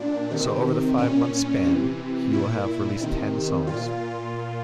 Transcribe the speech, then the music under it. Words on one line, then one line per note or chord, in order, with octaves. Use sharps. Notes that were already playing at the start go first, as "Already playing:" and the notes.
So over the five-month span he will have released ten songs.
Already playing: A#2 D4
C3 D#3
A#2 C#4
C3 E3
A#2 E4
C3 D#3
A#2 F4